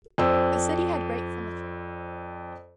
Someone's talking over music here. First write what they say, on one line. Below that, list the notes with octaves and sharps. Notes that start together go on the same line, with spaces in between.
The city had great symmetry.
F2 C5 D5 E6